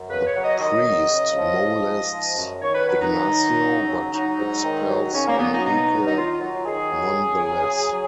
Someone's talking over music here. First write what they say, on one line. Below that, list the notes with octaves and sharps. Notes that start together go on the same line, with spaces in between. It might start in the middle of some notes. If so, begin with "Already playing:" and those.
The priest molests Ignacio, but expels Enrique nonetheless.
Already playing: F#2
C#3 B4
C#5
F#3
D#5
D#3 D#5
F#3
C#3
F3
F3
G#2
F3
F#2
D#3 C#5
B4
F#3 B4
D#4
D#3
F#3
C#3
F#3
F#3 D#4
G#2
D#3
F#3
C#3 C#4
A#3
F#3 B3
D#4
B2 D#4
F#3
D#4
D#3 F4
F#3
D#3 G#4
F#3
C#3
F#3
C#3
F#3